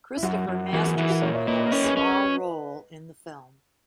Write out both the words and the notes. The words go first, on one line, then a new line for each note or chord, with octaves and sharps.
Christopher Masterson had a small role in the film.
E4
F#2 F#4
F#2
E3 F#4 A#4
E4 G#4
E3
F#4 A#4
A#2 A#4 C#5
C#5 E5
A#3 B4 D#5
B4 D#5
C#4 A#4 C#5
G#4 B4
C#4 B4 D#5
B4 D#5